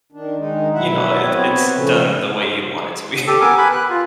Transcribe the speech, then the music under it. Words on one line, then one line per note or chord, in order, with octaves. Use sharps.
you know, it it's done the way you want it to be.
D#3 D4
D#3 G#3 D#4
B2 F#3 E4 E5 F#5
B3 C4 B4 C#5
C#3 F3 A3
G4 A4
B3 A#4 G#5 D6
B4 G#5 B5
F#6
F4